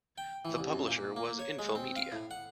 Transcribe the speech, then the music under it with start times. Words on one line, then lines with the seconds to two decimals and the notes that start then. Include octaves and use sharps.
The publisher was Infomedia.
0.18 G5
0.45 E3
0.58 C2
0.73 F#2
0.88 A#2
1.16 A#3
1.39 C#5
1.59 G#3
1.75 C4
1.96 F5
2.12 A2
2.31 F#5